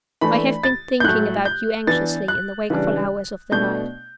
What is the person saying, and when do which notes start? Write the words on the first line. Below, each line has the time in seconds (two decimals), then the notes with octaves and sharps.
I have been thinking about you anxiously in the wakeful hours of the night.
0.21 E3 A3 D4 B5
0.63 A6
1.00 G6
1.04 A2 F#3 A3 F#6
1.45 G6
1.87 E3 B3 D4 A6
2.28 F#6
2.70 C#3 E3 G3 D4
3.52 B2 A3 D4 G6